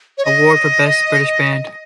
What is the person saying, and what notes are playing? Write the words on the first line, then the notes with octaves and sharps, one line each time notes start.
Award for "Best British Band".
C#5
D#5